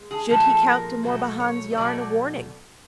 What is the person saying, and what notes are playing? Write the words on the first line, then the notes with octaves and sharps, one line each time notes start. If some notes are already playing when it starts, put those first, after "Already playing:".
Should he count De Morbihan's yarn a warning?
Already playing: G#3
G#4
A#2 F3 G#3 A4
A#4
B2 F#3 A3
C#5
D#5
B2 F#3 A3 D5